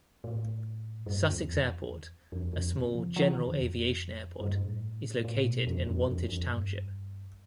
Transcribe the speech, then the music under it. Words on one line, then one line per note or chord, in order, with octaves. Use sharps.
Sussex Airport, a small general aviation airport, is located in Wantage Township.
A2
G2
E2
F2
E2
F2
F2
C3
F3
F3
E3
D3
E2
F2
G2
A2
A2
B2
F2
F2
F2
F2
G2